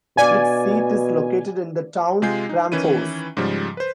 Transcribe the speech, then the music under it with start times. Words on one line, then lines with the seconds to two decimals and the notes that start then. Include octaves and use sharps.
Its seat is located in the town Kramfors.
0.17 B2 D5 F5 G#5
2.22 C3 G#3 F4 G#5 G6 C7
2.49 D#4
2.72 D#3 E3 C#4 E4 D#7
3.37 G#2 C#3 F3 G3
3.77 B4 C5